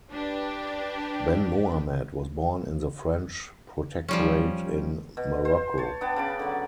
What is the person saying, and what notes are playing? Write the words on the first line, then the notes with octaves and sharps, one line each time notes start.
Ben Mohammed was born in the French Protectorate in Morocco.
D4 G4 B4
F3 G3 C#4
B2
C5
C#5 A5
B3 D4 G5 A5
C#3 B5 D6
D3 F#3